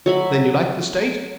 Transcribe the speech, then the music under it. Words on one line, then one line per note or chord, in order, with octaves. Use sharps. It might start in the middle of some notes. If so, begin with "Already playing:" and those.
"Then you like the State?"
F#3 E5 B5